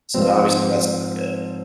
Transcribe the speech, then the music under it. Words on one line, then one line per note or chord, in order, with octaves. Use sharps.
so obviously that's not good.
G#2 F3 C4